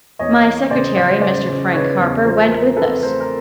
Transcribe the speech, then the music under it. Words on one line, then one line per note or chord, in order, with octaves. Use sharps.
My secretary, Mr. Frank Harper, went with us.
E2 C#5 D#5
E2
C#3 C5 D5
C#3 C5 D5
C#3 C5 D5
C#3
C#3 B4 C#5
E2
F3 A#4 C5
F3 A#4
C4 A4 B4
A3 A#4 C5
A#4